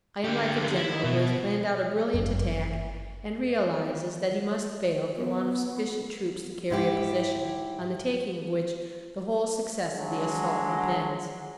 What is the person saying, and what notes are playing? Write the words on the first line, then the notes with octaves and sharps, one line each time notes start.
I am like a general who has planned out a brilliant attack, and realises that he must fail for want of sufficient troops to carry a position, on the taking of which the whole success of the assault depends.
D3 G4
E4
B2
G1 F#2
B3
G#2 E4 G4
D3 F#3 G#3